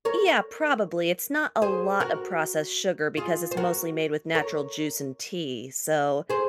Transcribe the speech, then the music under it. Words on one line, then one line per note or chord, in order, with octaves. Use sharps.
Yeah, probably. It's not a lot of processed sugar because it's mostly made with natural juice and tea, so
A#4 C#5
G#4 C5
F#4 A#4
F4 G#4
C5
F#4 A#4
A#4 C#5
G#4 C5